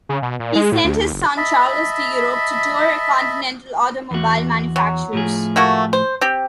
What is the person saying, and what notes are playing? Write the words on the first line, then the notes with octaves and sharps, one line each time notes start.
He sent his son Charles to Europe to tour continental automobile manufacturers.
C#3
B2
A#2
G#3
A2
D2
D#2
F#1
D#5 E5 A5 B5
E2 F#4
F#3
A2 F3 G#4
A3 A#3 F#4
C5
C4 G4